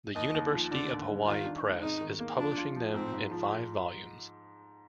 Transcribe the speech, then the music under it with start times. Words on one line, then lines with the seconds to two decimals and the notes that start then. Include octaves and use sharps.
The University of Hawaii Press is publishing them in five volumes.
0.15 D#2 D#5
0.34 D#2
0.53 F3
0.71 D3 D5
0.90 D#2
1.09 G3
1.27 D#3 F4
1.46 D4
1.64 G#3
1.82 G#1 D#4
2.01 D#3
2.20 A#3
2.38 F3 D4
2.57 F4
2.76 F3
2.94 G#2 C4
3.13 G#2
3.31 F3